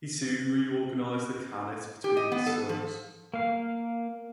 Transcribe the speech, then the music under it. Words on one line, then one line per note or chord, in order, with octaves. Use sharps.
He soon reorganized the khanate between his sons.
G4
D#5
B3
A4
F3
A#3 F5